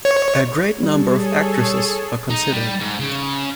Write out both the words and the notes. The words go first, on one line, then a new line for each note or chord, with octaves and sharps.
A great number of actresses were considered.
C#5
G3 G#4 A4 C#5
D#4
G3
G#2
C#3